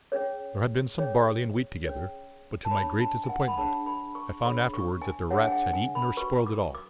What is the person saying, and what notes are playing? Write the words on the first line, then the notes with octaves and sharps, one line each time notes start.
There had been some barley and wheat together; but, to my great disappointment, I found afterwards that the rats had eaten or spoiled it all.
C#4 G#4 C#5
C#4 G#4 C#5
C#4 G#4 C#5
A5
D4 G#4 C#5 B5
A5
G#5
F#5
B5
D4 G#4 C#5 A5
B5
C#6
D4 G#4 C#5 B5
C#6
G#5
D4 G#4 C#5 F#5
G#5
F#5
G#5
B5
F#4 B4 C#6
D6
D6